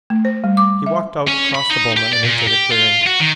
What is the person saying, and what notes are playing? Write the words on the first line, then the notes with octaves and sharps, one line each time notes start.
He walked out across the boma and into the clearing.
A3
C5
G3
D6
E5
C#4
B5
D#4
G4
D5
A#2
G4
F4
F#4
D#3